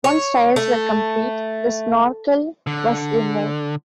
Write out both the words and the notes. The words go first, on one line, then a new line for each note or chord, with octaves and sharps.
Once trials were complete the Snorkel was removed.
C#5
A3
D3